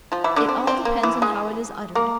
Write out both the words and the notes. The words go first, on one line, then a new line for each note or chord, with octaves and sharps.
It all depends on how it is uttered.
F3 F4
E3 E4
D3 D4
C4
C4
A#3
E3 E4
G#3 G#4
A#3 A#4